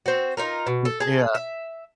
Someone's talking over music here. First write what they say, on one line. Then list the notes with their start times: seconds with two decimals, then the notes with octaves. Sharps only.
Y yeah,
0.06 C4 F#4
0.37 D#4 F4 A#4
0.67 B2
0.85 A4
1.00 G#4 A5
1.35 E5